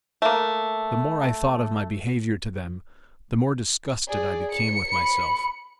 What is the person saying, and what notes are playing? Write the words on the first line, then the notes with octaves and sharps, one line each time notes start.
The more I thought of my behaviour to them, the more disgusted I became with myself.
A3 A#3
G#4 D5
C#7
B5